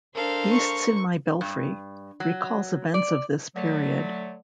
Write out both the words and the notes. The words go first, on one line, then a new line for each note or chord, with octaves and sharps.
"Beasts in My Belfry" recalls events of this period.
D4 A4 A#4 C5 F5
C#6
G2
F#3
D5
D3 F#3 A3